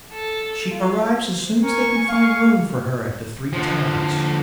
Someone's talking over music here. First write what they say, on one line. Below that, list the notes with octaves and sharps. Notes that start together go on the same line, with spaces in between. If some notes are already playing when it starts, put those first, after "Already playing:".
She arrives as soon as they can find room for her at the Three Tuns.
A4
F4
C5
A#4 G#5 C#6
F5
D3 F3